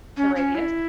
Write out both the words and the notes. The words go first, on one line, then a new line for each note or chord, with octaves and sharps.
The radius.
C#4
C#4
E4